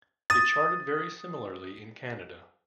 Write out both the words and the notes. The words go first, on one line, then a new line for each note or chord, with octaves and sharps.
It charted very similarly in Canada.
D#6 A6